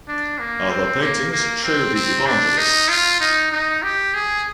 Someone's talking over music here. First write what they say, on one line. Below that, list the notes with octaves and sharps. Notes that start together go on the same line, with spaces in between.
Other paintings show the Evangelists.
D4
A#3
C4
A#3
A#3
C4
C4
D4
D#4
F4
D#4
D#4
G4
G#4